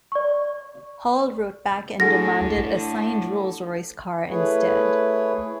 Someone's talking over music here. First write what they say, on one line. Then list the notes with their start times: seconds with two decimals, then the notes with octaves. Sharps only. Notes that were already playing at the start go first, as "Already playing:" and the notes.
Hall wrote back and demanded a "signed Rolls-Royce car" instead.
0.12 D5 C#6
2.00 A2 D3 G#4 F#5 G#5 A#6
4.29 A3 E4 G#4 B4 C#5